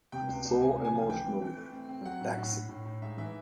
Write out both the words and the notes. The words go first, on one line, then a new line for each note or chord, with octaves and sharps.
It was so emotional and taxing.
C3 G5
C#2
C#2
C3 G#5
C#2
G#5
F3
E3 G5
C4
E3
A3
C4
C4
F#3 F#5
A2
A2
A2
A2
A2
G#2 E5
E3 E5